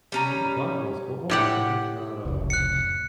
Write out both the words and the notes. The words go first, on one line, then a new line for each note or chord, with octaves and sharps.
Me uh, dodgeball's cool Oh, I could think about, uh
G3 C#4 A#5
A2 G4 F#5
F1 C#2
F#6 C#7